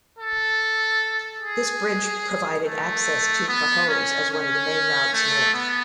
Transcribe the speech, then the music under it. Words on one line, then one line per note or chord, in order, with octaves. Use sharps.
This bridge provided access to Cohoes as one of the main routes north.
A4
G#4
A3
B3
C#4
C#4
A3
B3